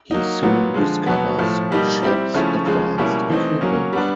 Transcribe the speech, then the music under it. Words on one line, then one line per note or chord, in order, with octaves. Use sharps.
He soon discovers Shep's advanced equipment.
F#3 A#3 D#4
A#2 F#3 B3
D3 F3 G#3
B2 F#3 B3
A2 F3 A3
B2 G3 A#3 D#4 G4
G3 C4 E4 G4
C#3 F3 A3 C#4 E4
C#3 F3 G#3
B2 G3 A#3 C#4 E4
E3 A3 C4 D#4
F#3 A#3 C#4
G3 B3 D4